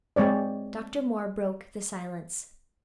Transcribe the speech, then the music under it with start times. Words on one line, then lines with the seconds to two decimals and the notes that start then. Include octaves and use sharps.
Dr. Moore broke the silence.
0.16 G#3 C4 C#5 D5